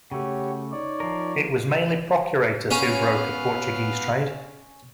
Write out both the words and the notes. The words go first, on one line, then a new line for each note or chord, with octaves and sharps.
It was mainly procurators who brokered Portuguese trade.
C#3 A3 F#4 G4 C#5
D#4 C#5 D5
F3 A#4
B3 C#4 F5